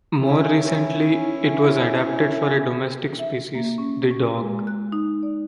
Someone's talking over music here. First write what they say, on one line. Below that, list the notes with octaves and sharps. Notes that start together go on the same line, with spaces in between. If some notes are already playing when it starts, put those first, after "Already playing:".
More recently, it was adapted for a domestic species, the dog.
C#4 E4
E5
A#3
C#4
C#4
G#3
F#6
D#4
D5